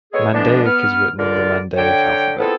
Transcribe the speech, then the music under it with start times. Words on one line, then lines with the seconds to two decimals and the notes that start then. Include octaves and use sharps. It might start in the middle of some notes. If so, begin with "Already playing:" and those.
Mandaic is written in the Mandaic alphabet.
0.13 G#3 B3 G#4 A4 C#5
0.33 D3 E3 F3 G#3 B3 D4
0.65 B3 F6
1.18 C#2 D3 F4 A#4 D5
1.77 D3 C#5 G5
2.39 B3 C4 E4 F4 G#4 A4